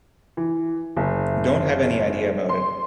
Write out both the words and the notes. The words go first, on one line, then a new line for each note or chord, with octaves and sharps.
Don't have any idea about it.
E3
F#1
C6